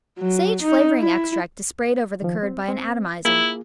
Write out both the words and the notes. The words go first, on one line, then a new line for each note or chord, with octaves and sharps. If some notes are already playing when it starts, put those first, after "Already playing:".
Sage flavoring extract is sprayed over the curd by an atomizer.
F#3
D#4
E4
D#3 F3
C4
C4
A#3 E4 F4 G#4